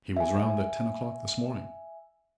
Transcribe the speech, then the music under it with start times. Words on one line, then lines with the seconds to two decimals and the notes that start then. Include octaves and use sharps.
"He was round at ten o'clock this morning."
0.17 E5 G#5